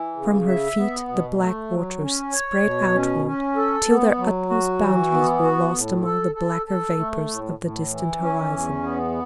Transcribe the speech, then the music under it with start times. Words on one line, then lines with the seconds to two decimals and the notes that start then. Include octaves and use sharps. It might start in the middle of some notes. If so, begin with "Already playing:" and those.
From her feet the black waters spread outward, till their utmost boundaries were lost among the blacker vapors of the distant horizon.
Already playing: E3
0.16 C#3
0.46 E5
0.77 B3
1.08 B2
1.39 A3
1.71 F#3
2.02 C#4
2.33 C#5
2.63 B2
2.94 C#4
3.26 C#4
3.56 A4
3.87 B3
4.18 F#3
4.49 F#4
4.80 E3
5.11 B3
5.42 F#4
5.73 A2
6.04 A4
6.35 A4
6.66 A4
6.97 A3
7.28 A2
7.59 A2
7.90 E3
8.21 C#4
8.52 E2
8.83 B3